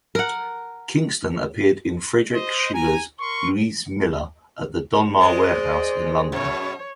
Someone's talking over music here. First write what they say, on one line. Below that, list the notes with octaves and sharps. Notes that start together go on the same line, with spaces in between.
Kingston appeared in Friedrich Schiller's "Luise Miller" at the Donmar Warehouse in London.
A#4 F#5
C5 D#5
G#5 A#5
A#4 C6 C#6
G#3 C5 D5 D#5
F#2 B2 C#5